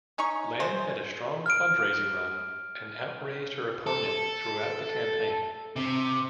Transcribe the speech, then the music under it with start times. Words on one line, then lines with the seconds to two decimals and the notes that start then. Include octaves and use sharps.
Land had a strong fundraising run and outraised her opponent throughout the campaign.
0.18 C#4 D#4 C#5 C#6
0.60 G#3 C5
1.46 F6 D7
3.87 A4
5.76 C3